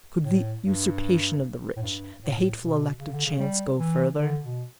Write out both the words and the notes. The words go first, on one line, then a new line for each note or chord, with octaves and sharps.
Could the usurpation of the rich, the hateful elect of chance, go further?
A2
G2
A2
G2
A2
B2
C#3
D3
C#3
G3
E3
D3
B2